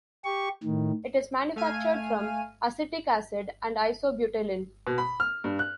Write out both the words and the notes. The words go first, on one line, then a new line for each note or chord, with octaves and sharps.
It is manufactured from acetic acid and isobutylene.
G4 C#6
A2 D#3
A3 F5 G#5 F6 D#7
B2
B5
F6
G2
F#6